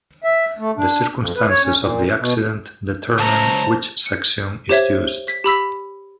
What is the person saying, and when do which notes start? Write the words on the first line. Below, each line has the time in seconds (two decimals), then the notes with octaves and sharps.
The circumstances of the accident determine which section is used.
0.24 E5
0.59 A3
0.77 D4
1.17 F2
1.36 B4
1.49 C#5
1.64 C#4
1.78 A#2
2.18 B2
3.18 C#2 F#3 C5 A5 A#5
4.06 C#7
4.69 G4 C5 C#5 E5 G#6
5.28 B6
5.44 G4 B5 E6 B6